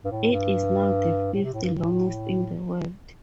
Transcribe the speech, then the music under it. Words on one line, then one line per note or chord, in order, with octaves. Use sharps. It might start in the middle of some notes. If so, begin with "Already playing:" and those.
It is now the fifth longest in the world.
G2
A2
G2
A2
C3
A2
G2
A2